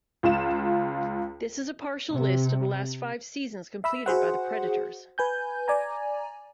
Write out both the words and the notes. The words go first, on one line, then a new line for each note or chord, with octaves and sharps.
This is a partial list of the last five seasons completed by the Predators.
C#2 F4 E7
C3
E5 B5 E6
F#4 G#4 C5 F#5
B4 G#5 G6
D5 G#5 A#5